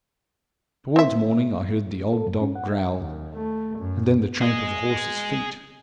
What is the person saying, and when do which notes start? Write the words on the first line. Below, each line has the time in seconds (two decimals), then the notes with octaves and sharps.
Towards morning I heard the old dog growl, and then the tramp of a horse's feet.
0.96 C4 E5
2.13 A4
2.27 F#2
2.41 C#4
2.55 F#5
2.72 E5
3.00 D#2
3.34 A3
3.78 F#2
4.42 G#4 D#5